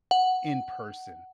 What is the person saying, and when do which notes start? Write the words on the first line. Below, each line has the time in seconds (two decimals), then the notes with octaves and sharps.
in person?
0.11 F#5